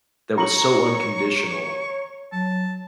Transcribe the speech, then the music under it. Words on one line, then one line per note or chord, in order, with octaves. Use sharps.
that was so unconditional
C#5 A#5 C#6 F#7
F#3 A5